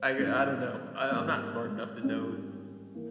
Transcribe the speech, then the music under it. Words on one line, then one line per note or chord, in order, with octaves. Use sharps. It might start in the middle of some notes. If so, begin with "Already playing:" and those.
I I don't know, I I'm not smart enough to know
Already playing: G#2 C5
G#1 G#2 E3 G3 C#4
G#1 G#2 G3 A#3
G#1 G#2 G3 A#3 C#4
E3 A#3